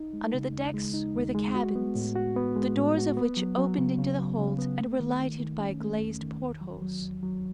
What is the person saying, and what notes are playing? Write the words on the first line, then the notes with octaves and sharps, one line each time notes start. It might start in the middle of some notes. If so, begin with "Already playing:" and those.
Under the decks were the cabins, the doors of which opened into the hold and were lighted by glazed portholes.
Already playing: D#4
G#3
C#3
D#2
G#3
D#4
D#2
G#3
F#4
B3
A2
F#4
B3
G#3
A2
F#4
B3
F#3
F#3
C#3
C#3
F#3
C#3
B3
A3
D#3
D#3
D#3
C#4
A3
E2
D#3
E2
F#3
F#3
E2
F#3